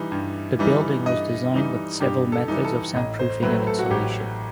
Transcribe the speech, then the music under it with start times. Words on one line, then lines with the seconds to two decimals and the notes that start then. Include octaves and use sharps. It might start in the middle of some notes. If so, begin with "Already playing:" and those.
The building was designed with several methods of soundproofing and insulation.
Already playing: E3 G3 D#4
0.12 G2
0.59 E3 G3 D#4
1.06 G2 D#5
1.54 E3 G3 D#4
2.00 G2 G4
2.32 A4
2.48 E3 G3 D#4
2.64 A4
2.95 A1 D#5
3.19 C5
3.42 A2 F#3 A3 B4
3.67 A4
3.79 F#4
3.90 A1 G4